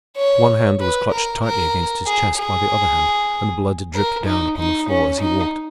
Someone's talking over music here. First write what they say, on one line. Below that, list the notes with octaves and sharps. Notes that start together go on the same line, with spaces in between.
One hand was clutched tightly against his chest by the other hand, and blood dripped down upon the floor as he walked.
C#5
B4
A#4
A#4
G#4
G#4
A#4
D#4
D#4
C#4
D#4